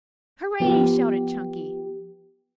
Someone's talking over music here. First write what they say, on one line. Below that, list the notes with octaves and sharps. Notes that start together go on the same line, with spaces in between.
"Hooray!" shouted Chunky.
F3 B3 G4